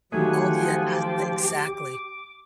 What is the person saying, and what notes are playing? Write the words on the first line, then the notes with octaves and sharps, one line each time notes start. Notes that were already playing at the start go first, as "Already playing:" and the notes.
Oh, do you ask the exactly.
D#3 F3 F#3 A3 G4 G#4 F#5 G#5
D6